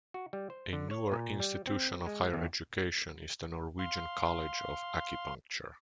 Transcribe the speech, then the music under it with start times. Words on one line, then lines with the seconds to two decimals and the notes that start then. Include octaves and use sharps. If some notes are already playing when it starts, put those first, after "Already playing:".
A newer institution of higher education is the Norwegian College of Acupuncture.
0.14 F#4
0.33 G3
0.50 C5
0.73 D3
0.91 C#5
1.12 A#2
1.40 G3
1.67 C4
2.06 G#3
2.34 E2
3.79 F5 C6